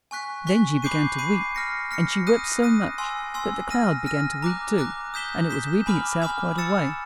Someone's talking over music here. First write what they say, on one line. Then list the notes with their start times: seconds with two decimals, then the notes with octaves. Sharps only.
Then she began to weep; and she wept so much that the cloud began to weep too, and it was weeping itself quite away.
0.11 G#5 C#6 F#6 B6
0.47 G#5 C#6 F#6 B6
0.82 B5 D6 G6 C7 D#7
1.19 B5 D6 G6 C7 D#7
1.55 F6 A#6 C#7
1.91 F6 A#6 C#7
2.27 D#6 F#6 A#6 D#7
2.62 D#6 F#6 A#6 D#7
2.98 G#5 C6 E6
3.34 G#5 C6 E6
3.70 F6 A#6 D#7
4.06 F6 A#6 D#7
4.42 A#5 D6 F#6
4.78 A#5 D6 F#6
5.14 D#6 G6 B6 E7 G7
5.49 D#6 G6 B6 E7 G7
5.86 G#5 B5 D6 F6
6.22 G#5 B5 D6 F6
6.58 E6 A6 C#7 E7